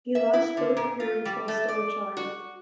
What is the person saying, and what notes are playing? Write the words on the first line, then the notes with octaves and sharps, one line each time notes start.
He lost both parents while still a child.
E5
E4
D3
A#2
F4
G3
A3
D5
F#4